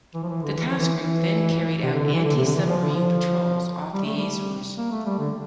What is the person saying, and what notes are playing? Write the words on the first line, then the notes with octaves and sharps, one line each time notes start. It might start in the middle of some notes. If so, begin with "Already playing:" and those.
The task group then carried out antisubmarine patrols off the Azores.
E3
F3
E3
D3
E3
F3
E3
E3
C3
D3
D3
E3
D3
C3
D3
E3
F3
D3
F3
G3
A3
G3
A#3
A3
G3
D3